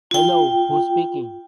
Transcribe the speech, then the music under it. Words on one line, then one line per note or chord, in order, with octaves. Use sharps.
Hello, who’s speaking?
F4 G5